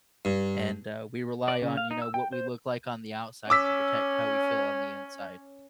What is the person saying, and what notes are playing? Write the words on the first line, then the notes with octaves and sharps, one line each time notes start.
And, uh, we rely on, you know, what we look like on the outside to protect how we feel on the inside.
G2
D5
C#3
F5
D#4
E6
G5
C5
C#4 D6 E6 B6